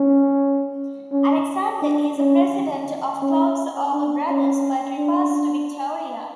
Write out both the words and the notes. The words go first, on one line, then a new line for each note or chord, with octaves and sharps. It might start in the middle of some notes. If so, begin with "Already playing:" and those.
Alexander is the president of Clothes Over Brothers but reports to Victoria.
Already playing: C#4
C#4
D4
C#4
C#4
D4
C#4
D4